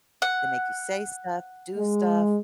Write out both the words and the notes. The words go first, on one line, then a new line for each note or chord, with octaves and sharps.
they make you say stuff, do stuff,
F#5
G#3